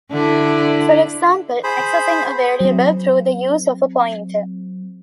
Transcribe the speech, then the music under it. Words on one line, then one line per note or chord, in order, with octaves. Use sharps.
For example, accessing a variable through the use of a pointer.
D3 D4 E4
G#4 C5 B5
F#3 C4